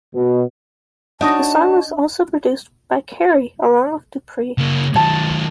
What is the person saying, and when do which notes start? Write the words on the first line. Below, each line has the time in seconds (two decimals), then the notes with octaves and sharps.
The song was also produced by Carey along with Dupri.
0.15 B2
1.21 D4 D#4 F#4 C#5 D#5 A5
4.58 C#3 A#3
4.96 D#3 F#3 A5